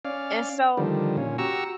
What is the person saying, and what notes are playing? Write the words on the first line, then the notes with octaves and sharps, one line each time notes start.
And so
C#4 D5 F5
D3 D#3 F3 G3
A#2 C#4
F#4 G4 A#5 C#6 E6